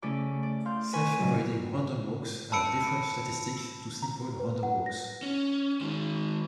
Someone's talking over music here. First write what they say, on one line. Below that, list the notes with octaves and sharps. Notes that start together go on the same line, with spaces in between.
Self-avoiding random walks have different statistics to simple random walks.
C#3 A3 C#4 E4 D5 D6
D5
F5 C6 G6
B4 G#5 C#6
G#2 C#3 F#3
A5 B5 E6 C#7 D7
A#5
B4
F#5
A#6
C#4
D#3 G#3